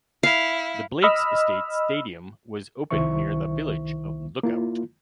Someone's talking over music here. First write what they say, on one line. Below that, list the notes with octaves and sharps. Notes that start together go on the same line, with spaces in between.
The Blakes Estate Stadium was opened near the village of Look Out.
E4 F5
D#5 B5 E6 F6
C2 D#3 E4 C5 E5 C#6
A#3 E4 F4